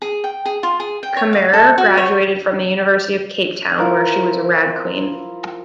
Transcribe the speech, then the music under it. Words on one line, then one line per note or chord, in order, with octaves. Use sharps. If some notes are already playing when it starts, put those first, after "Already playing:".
Camerer graduated from the University of Cape Town where she was Rag Queen.
G#4
G5
G#4
F4
G#4
G5
C#5
F5
A4
F#4
C#5
F3 E4 F4 A#4